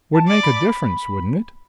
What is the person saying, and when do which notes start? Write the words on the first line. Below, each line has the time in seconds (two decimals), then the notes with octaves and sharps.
Would make a difference, wouldn't it?
0.14 A5
0.28 D5
0.43 B5